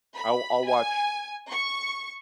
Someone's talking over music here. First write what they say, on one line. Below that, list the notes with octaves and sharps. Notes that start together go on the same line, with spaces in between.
I'll I'll watch
B5
G#5
C#6